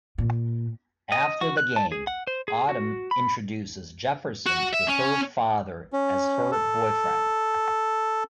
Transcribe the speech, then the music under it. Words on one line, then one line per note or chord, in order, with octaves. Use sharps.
After the game Autumn introduces Jefferson to her father as her boyfriend.
A#2
D#5
F#4
F#6
A5
G#4
F#5
C5
G#4
F#4
B5
F#4
E5
C#4
C#4
A4